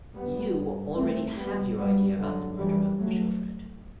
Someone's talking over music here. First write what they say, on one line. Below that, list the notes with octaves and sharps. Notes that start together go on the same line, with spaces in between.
You, already, have your idea about the murderer, Monsieur Fred.
G2 G3 B3
A3 C4
G3 B3
F#2 G3 B3
D3 F#3
E3 G3
F#3 A3